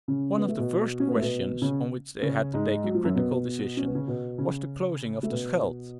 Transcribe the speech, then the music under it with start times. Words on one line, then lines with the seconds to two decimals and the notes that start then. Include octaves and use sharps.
One of the first questions on which they had to take a critical decision was the closing of the Scheldt.
0.08 C#3 C#4
0.38 B3
0.48 A3
0.59 B2 B3
1.00 C#4
1.07 B3
1.15 A3
1.22 B2 B3
1.62 C#3 C#4
2.22 C#3 C#4
2.54 G#2 G#3
2.84 F#3
2.95 F3
3.04 F#2 F#3
3.15 B2 B3
3.77 C#4
3.86 B3
3.95 C#3 C#4
4.08 B2 B3
4.38 C#3 C#4
5.23 A3
5.30 B2 B3